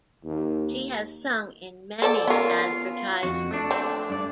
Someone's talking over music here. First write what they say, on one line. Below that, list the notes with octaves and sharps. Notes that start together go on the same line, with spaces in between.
She has sung in many advertisements.
D#2
A4 C5 D5
B3 C#4 F4 A#4
F2 F#4
A3 D4
C4
G2 D5